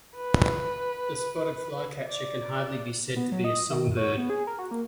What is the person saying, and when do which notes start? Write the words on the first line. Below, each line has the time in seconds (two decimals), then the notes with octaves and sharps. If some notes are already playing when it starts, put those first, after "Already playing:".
The spotted flycatcher can hardly be said to be a song-bird.
0.16 B4
2.09 D5
3.16 B3
3.32 F#3
3.44 D#5
3.70 D#3
3.97 C#5
4.17 B3
4.30 G#4
4.47 A#4
4.59 F#4
4.71 A#3